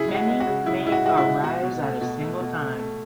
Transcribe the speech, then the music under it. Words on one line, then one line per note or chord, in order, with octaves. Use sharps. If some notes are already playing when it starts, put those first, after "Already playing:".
Many may arise at a single time.
Already playing: C#3 E4 G#4
G#3
F#4
G#3
F#4
C#3
C#3 E4
G#3 E4
F#4
G#3 F#4
E4
G#3
B2 F#4
B2
A3
B2
A3
B2
A3
A3